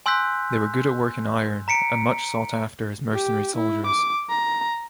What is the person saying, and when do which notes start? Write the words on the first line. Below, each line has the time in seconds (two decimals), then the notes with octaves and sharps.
They were good at working iron and much sought after as mercenary soldiers.
0.06 G#5 C6 E6 F#6 G6 B6
1.68 A#5 B6 C#7 D7
3.13 G4
3.56 E4
3.86 D6
4.30 A#5